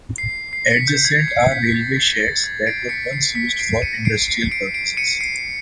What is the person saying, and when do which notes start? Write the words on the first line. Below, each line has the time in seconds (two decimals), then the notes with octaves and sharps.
Adjacent are railway sheds that were once used for industrial purposes.
0.18 C7
0.53 C7
0.70 B6 C#7
0.88 G6
1.05 G#6
1.28 C7
1.51 B6
1.74 A6
1.97 A6
2.21 A6
2.44 G#6
2.66 C7 D7
2.89 B6 C#7
3.13 C7
3.35 B6 C#7
3.59 C7 D7
3.82 C#7 D#7
4.05 C7 D7
4.28 C7
4.51 C7 D7
4.74 C7 D7
4.97 C#7 D#7
5.21 C7 D7